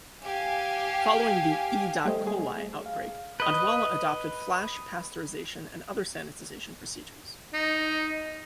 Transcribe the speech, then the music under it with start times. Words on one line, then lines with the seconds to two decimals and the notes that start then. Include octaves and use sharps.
Following the "E dot coli" outbreak, Odwalla adopted flash pasteurization and other sanitization procedures.
0.22 G4 F5 G#5
2.05 G3 A3 C5 D#5
2.27 G#4
2.86 F5
3.40 B4 D#5
7.54 D#4